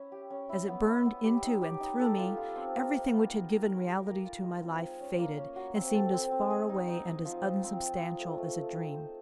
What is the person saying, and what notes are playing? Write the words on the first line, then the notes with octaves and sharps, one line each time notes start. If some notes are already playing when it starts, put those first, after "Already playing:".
As it burned into and through me, everything which had given reality to my life faded and seemed as far away and as unsubstantial as a dream.
Already playing: C#4 E4
G4
C#4
E4
B3
E4
B3
G4
D#4
G4
D#4
A4
F4
F4
C4
A#4
D#4
B3
D#4
A#4
A#4
G4
A#4
F4
G#3
C4
G#4
C#4
A#3
C#4
F#4
C4
A4
C4
C4
G#4
D#4
D#4
D#4
F3
F3
C4
F3
F3
A3
A3
A3
D#4
C5